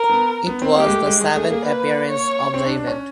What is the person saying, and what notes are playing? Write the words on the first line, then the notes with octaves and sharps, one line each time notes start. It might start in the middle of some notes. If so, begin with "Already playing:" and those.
It was the seventh appearance of the event.
Already playing: A#4
B3
B3
C4
A#3 G4
G#3
A3
G#3
G#3 G#4
A3
A#3
B4
C#5
C4
D4
D4
C#4